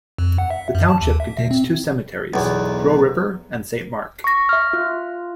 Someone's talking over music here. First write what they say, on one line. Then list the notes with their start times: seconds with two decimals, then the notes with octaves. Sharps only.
The township contains two cemeteries: Crow River and Saint Mark.
0.18 F2
0.38 F#5
0.51 E5
0.75 F#2
0.89 A5
1.01 D#2
1.20 E5
1.39 B2
1.51 C4
2.34 B1 E2
4.24 C#6 A#6
4.49 E5 F6
4.73 F4